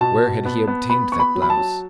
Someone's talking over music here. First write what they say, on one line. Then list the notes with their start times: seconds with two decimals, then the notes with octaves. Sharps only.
Where had he obtained that blouse?
0.01 B2 A5
0.24 B2
0.45 B3
0.67 B3
0.90 B3 B5
1.12 B3 C#6
1.20 B5
1.35 F#3
1.42 B5
1.50 A5
1.57 F#3